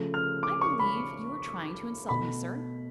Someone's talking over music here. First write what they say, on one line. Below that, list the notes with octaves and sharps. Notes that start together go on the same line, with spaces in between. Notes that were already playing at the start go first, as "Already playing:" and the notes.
"I believe you are trying to insult me, sir."
Already playing: C#3 F3 A3
F6
D6
C#6
B5
B2 A3 B5